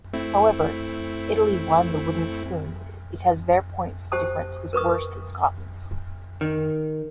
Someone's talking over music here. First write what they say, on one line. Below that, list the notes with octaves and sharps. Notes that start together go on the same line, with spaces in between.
However, Italy won the wooden spoon because their points difference was worse than Scotland's.
A3 C4 E4
G4 C5 A5 D#6
A#4 B4 C#6 D#6
D#3